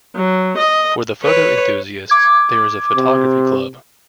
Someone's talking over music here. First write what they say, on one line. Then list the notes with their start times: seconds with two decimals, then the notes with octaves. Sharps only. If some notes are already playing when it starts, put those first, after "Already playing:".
For the photo enthusiasts there is a Photography Club.
0.15 F#3
0.57 D#5
1.23 B4 C#5
2.10 D6 G#6
2.96 C3